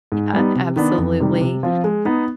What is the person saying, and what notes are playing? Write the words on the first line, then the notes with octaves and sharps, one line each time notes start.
Yeah, absolutely.
G#2
G3 B3 D#4
C3
D#3 B3 D4
F2
C3 D#3 G3
C3
F3 C4 F4
G#3
B3 D#4